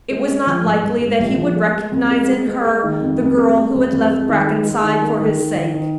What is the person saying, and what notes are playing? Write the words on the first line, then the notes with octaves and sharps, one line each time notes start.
It was not likely that he would recognize in her the girl who had left Brackenside for his sake.
G#3
G#3
F3
G#2
G#2
G#2
A#1
F3
G#3
G#3
F2
G#3
G#3
G#3
G#3
D#3
F2
F2
G#3
G#3
F2
F2
G#3
D#3
G#3
G#3
D#3
A#3
D#3
D#3
D#3
D#3